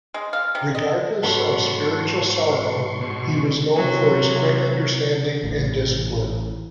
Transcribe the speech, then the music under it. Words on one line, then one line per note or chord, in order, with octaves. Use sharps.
Regardless of spiritual sorrow, he was known for his quick understanding and discipline.
G#3
F5
C3
D#5
G#2 F#3 B3 A4 C6 C#6
B2
C3 F#3
A1 A2